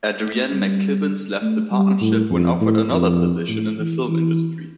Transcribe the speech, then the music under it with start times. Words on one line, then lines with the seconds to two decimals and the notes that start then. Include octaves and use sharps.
Adrienne McKibbins left the partnership when offered another position in the film industry.
0.22 A3
0.52 G3
1.42 A3
1.71 G3
2.01 A2
2.30 F2
2.60 A2
2.90 F2
3.49 A2
3.79 E3
4.08 E3